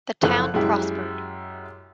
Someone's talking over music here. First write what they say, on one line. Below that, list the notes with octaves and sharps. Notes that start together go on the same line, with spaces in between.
The town prospered.
F#1 F3 A4 F#6
F#2 G#3 E4 G4